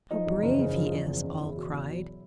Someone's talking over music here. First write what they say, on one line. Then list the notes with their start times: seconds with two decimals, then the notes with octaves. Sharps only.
'How brave he is!' all cried.
0.11 F3 D#4
0.26 E2
0.43 F#1
0.59 C#3
0.75 F3
0.92 E2
1.08 F#1
1.24 C#3
1.40 E2 E4
1.56 B2
1.72 E2
1.88 F#3